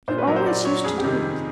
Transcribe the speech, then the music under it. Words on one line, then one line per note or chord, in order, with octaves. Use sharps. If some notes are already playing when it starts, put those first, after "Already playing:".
"You always used to do it."
A#2 C5
B4
F#3 A#4
C5
A#2 D5
F#3 C#5
F2 G#4
G4
C3 D#3 G3